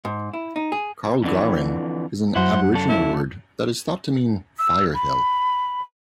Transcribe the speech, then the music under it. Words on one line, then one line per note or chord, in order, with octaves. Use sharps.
Karlgarin is an Aboriginal word that is thought to mean "fire hill".
G#2
E4
D#4
G#4
F2 D3 E3
F#2 F#3 E4 C5 F#5
C#3 A4
E4
E6
B5